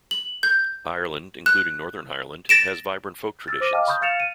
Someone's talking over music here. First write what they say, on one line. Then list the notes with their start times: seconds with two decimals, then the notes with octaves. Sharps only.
Ireland, including Northern Ireland, has vibrant folk traditions.
0.11 F#7
0.43 G6
1.46 F#6
2.49 A6 A#6 D7 E7
3.48 E6 F6 A6
3.60 C5 D6 A#6 D#7
3.73 D#5 F5 G5 A5 D6 F6
3.88 B5 C#6 D#6 G6
4.01 F5 F6 A6 C#7 E7 F7
4.20 D#7